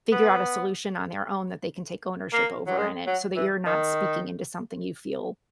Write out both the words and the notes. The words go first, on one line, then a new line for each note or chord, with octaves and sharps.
figure out a solution on their own that they can take ownership over in it, so that you're not speaking into something you feel
B3
A#3
F#3
G#3
F#3
E3
D#3